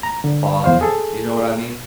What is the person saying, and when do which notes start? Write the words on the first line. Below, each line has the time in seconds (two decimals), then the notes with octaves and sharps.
balling, you know what I mean?
0.03 A#5
0.24 D3
0.64 E2 C5 F5
0.81 G#4 A4